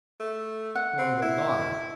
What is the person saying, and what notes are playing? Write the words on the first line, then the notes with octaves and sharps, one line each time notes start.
Longbill nodded.
A3
F#5
C4
E4